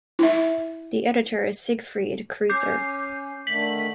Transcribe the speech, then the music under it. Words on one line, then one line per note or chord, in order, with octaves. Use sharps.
The editor is Siegfried Kreuzer.
E4 E5
C#4 D6 G6 C7
D3 D#3 A3 B6 F#7